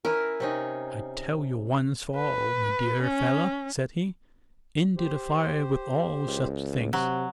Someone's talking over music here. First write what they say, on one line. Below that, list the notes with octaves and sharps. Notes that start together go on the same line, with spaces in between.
I tell you once for all, my dear fellow," said he, "into the fire with all such things!
C#4 E4 A#4 B4
C3 C#4 D#4
B4
C#4
G4 C5
C#2
C3 F#3